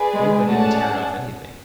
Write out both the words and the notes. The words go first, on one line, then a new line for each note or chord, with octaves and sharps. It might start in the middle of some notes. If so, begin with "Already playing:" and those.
I believe I didn't tear it off anything.
Already playing: G#4 B4 D5
G#3
A3 C#4 G#4 D5 F#5 A5